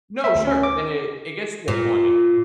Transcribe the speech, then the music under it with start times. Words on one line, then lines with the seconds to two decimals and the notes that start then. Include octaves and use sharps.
No, sure, and it it gets to a point.
0.24 E5
0.35 D2
0.47 C#4
0.63 D6
1.68 A#2